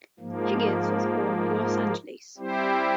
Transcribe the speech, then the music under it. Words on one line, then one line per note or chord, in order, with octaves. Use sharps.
Higgins was born in Los Angeles.
G#2 F3 A#3
G3 C4 E4 G4 C5